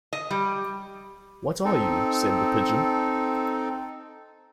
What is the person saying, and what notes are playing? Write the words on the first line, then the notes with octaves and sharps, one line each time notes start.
What are you?’ said the Pigeon.
D#5
G3
C4 D#4 A4